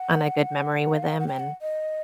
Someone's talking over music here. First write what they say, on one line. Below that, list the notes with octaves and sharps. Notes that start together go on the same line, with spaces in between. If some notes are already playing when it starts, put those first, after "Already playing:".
on a good memory with him, and
Already playing: F#5
F5
F#5
F5
F#5
G5
F#5
D#5